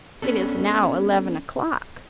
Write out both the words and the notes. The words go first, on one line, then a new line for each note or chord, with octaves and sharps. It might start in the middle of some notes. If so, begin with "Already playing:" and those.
It is now eleven o'clock.
B3 C#4 D4 A4